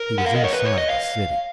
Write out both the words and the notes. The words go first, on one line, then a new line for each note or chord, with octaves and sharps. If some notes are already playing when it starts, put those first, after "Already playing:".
He was inside the city.
Already playing: A#4
F#5
F5
D#5
C#5
B4
C#5
D#5
F5